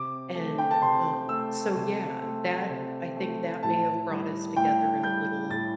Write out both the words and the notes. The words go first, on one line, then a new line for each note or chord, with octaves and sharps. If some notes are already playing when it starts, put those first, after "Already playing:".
and, um so, yeah, that, I think that may have brought us together in a little
Already playing: C3 D6
A3
G5
A5
C3 C6
A3 E6
C3
A3
C3
A3
A2 A5
G3
A2 G5
G3 G6
A2 A6